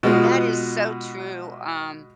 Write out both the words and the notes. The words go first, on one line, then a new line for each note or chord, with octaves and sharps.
that is so true. Um,
B2 G#3 F4